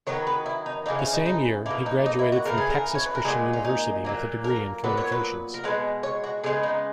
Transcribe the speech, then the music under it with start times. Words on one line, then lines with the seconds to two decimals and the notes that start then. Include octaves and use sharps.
The same year, he graduated from Texas Christian University with a degree in communications.
0.07 D#3 F#3 B3 C#5
0.27 B4
0.46 E4
0.66 D#4
0.86 C#3 E3 A#3 D#4
0.99 C#4
1.13 D#4
1.26 D#4
1.66 B2 A#3 E4
1.86 D#4
2.06 D#4
2.19 E4
2.32 F#4
2.45 C#3 E3 B3 A#4
2.57 G#4
2.70 A#4
2.95 C#5
3.06 B4
3.15 A#4
3.25 A#2 G#3 B3 G#4
3.53 C#4
3.65 D#4
4.05 A#2 F#3 A#3
4.44 A#4
4.84 A#2 F#3 B3 B4
4.97 C#5
5.12 B4
5.54 A#4
5.64 B2 G#3 B3 B4
6.03 C#5
6.24 F#4
6.44 C#3 G#3 B3 G#4
6.63 D#4